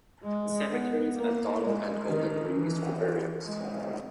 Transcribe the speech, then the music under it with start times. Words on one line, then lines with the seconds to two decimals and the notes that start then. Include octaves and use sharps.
The cemeteries at Donald and Golden were used for burials.
0.23 G#3
0.70 B3
1.15 A#3
1.62 G#3
2.07 D#3
2.52 E3
3.44 G#3